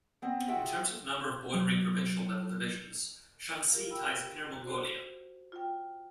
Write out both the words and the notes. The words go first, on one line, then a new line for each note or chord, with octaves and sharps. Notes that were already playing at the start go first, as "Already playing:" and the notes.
In terms of number of bordering provincial-level divisions, Shaanxi ties Inner Mongolia.
B3 C4
F4 F#4 G#4 E5 F#5 G5
F#3
F4 G4 A#4 F5
G5 B5 E6
F#4 C5
F4 G5